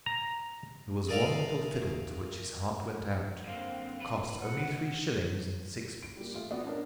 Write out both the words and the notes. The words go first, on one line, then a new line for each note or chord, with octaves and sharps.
There was one little fiddle to which his heart went out, that cost only three shillings and sixpence.
A#5
G#4 A#4 D5 E5 F5
F#2 D3 A#3 C4 F5
F3 B4
D#2 A2 D#5 F#5
D7
G3 A#3
A2 F4
B3 F#4 D5 D#5
C#4 D4 A#4